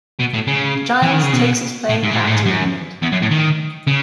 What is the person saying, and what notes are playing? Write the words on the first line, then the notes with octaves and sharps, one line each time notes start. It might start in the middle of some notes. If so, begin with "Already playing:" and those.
Giles takes his plane back to England.
B2
A2
C#3
E3
D#3
C#3
B2
A2
G#2
A2
G#2
A2
G#2
F#2
E2
F#2
A2
D#3
C#3